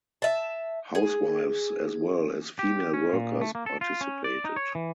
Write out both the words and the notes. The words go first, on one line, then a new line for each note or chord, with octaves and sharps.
Housewives as well as female workers participated.
E5 A5
G#4
G4
C#4
A#2
A3
A#3
A4
F4
C#4
D5
D#4
C#5
E3